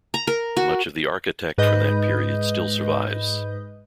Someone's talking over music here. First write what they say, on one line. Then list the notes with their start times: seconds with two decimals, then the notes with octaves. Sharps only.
Much of the architect from that period still survives.
0.14 A#5
0.27 A#4
0.57 F#4
1.58 G#2 B4 D#5 G6